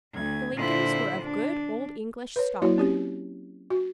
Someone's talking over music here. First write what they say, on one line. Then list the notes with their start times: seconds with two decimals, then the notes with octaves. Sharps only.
The Lincolns were of good old English stock.
0.12 D2 G#6
0.55 A#2 D3 E4 F4 C5 F#6
1.19 D4
2.36 B4 C#5
2.62 F#3 A#3 E4 F#4 C#5
2.78 C4 C#4 G4
3.70 F#4